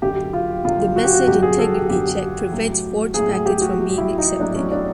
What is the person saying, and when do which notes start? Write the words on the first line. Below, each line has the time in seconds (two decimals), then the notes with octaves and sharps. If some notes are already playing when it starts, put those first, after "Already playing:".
The message integrity check prevents forged packets from being accepted.
0.02 F#2 D3 F#3 G4
0.33 F4
0.64 F#2 D3 F#3 F4
0.96 F#4
1.04 G4
1.13 F#4
1.27 F#2 D3 F#3 G4
1.43 G#4
1.59 A4
1.74 G4
1.89 F#2 D3 F#3 G4
2.52 A2 F#3
3.14 A2 F#3 G#4
3.31 G#4
3.46 G4
3.62 F#4
3.78 A2 F#3
3.98 E4
4.19 D#4
4.40 A2 F#3 D4
4.55 C#4
4.72 D4